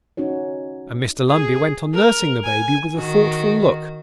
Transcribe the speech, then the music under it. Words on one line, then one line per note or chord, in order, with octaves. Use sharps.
And Mr Lumbey went on nursing the baby with a thoughtful look.
C#4 D#4 F#4 C#5
G#4
A#4
G#5
D#3 F#4